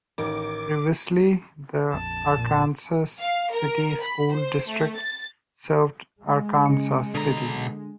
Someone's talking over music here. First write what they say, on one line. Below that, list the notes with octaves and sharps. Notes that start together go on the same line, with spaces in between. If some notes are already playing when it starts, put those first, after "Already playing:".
Previously the Arkansas City School District served Arkansas City.
A1 D#3 A#4 D6
A#1 F2 A5
A#2
F5
A#4
B5
C5
A3
A6
G#3
C#3 C#7
B2 D3 A#5